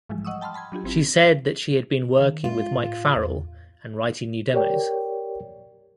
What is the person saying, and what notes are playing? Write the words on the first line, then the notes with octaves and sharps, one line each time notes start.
She said that she had been working with Mike Farrell and writing new demos.
G#2 E3 F3 G3 G#3
D#5 F#5 C#6 D#6 E6
G5 A5 B5 C6 F6
A5 B5 C6 G#6
F#3 D4 F4 G4
G#1 C4 E4 B6
D#3
G#3 F4
A2
E2
G4 A#4 C#5 D5 G5